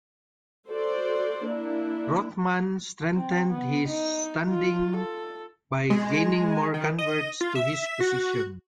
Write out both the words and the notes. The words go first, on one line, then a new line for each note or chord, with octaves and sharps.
Rothmann strengthened his standing by gaining more converts to his position.
F#4 A4 C5 D5
A#3 D4 E4
C4
B3
D#4
F4
A4
G#3
D#3
D#5
F4
E5
F#4